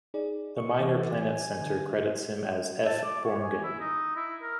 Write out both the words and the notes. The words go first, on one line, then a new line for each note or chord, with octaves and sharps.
The Minor Planet Center credits him as F. Borngen.
D#4 G#4 D5
C#6
E3 D6
A4
G#5
D3
A5
D5
C#5
G#5
E4
D#4
E4
A#4